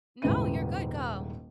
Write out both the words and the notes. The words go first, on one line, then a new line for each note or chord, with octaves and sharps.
No, you're good, go.
D#1 G#2 C#3 B3 E4 D#7